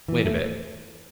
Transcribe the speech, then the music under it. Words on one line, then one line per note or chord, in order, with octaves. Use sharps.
Wait a bit....
E3
A3